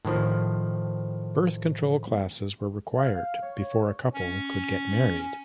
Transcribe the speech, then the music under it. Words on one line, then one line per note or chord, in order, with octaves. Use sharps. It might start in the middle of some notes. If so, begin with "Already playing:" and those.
Birth control classes were required before a couple could get married.
A2 D#3 F3
F5
C#5
C#4